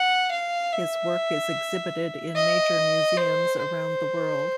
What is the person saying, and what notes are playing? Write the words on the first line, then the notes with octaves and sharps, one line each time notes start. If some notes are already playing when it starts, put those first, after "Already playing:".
His work is exhibited in major museums around the world.
Already playing: F#5
F5
E5
D#5
C5
C5